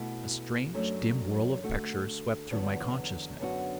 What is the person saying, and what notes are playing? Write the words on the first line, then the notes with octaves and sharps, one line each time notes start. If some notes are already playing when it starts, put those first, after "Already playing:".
A strange, dim whirl of pictures swept through my consciousness.
Already playing: B2 A3 E4
F#2 F#3 A3 D4
D3 A3 F#4
E2 D3 F#3 B3 F#4
F#2 D3 B3 D4 F#4